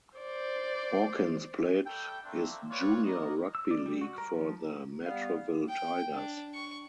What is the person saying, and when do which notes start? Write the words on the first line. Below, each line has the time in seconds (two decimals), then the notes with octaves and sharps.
Hawkins played his junior rugby league for the Matraville Tigers.
0.18 C5 D5
1.86 G3 A3 A4 G5
2.24 A3 A#3 C4 D4
2.70 G3 C4 F4 B4 C#5 D5
3.05 A#4 D5 D#5
3.55 E6
3.71 D5
3.86 G3
4.01 F#4
4.18 A#4
4.34 F3
5.06 G3 B3 F5
5.69 G5
6.14 D4
6.54 C#6